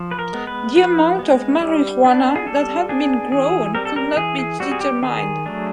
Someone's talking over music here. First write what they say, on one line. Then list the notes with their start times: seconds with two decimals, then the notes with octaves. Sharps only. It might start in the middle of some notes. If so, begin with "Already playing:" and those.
The amount of marijuana that had been grown could not be determined.
Already playing: F3
0.11 B4
0.19 A#4
0.33 G#3 B3
0.47 B4
0.76 F3 B4
1.19 G#3 B3
1.61 G3
2.04 B3 D4
2.36 G#4
2.46 G3 A4
2.89 B3 D4 G#4
3.31 E3 G#4
3.75 G3 C4 A#4
3.85 A4
3.96 A#4
4.17 E3 G#4
4.39 G#4
4.60 G3 C4 F#4
4.71 G#4
4.81 G4
5.02 D#3 G#4
5.46 F#3 A3 D4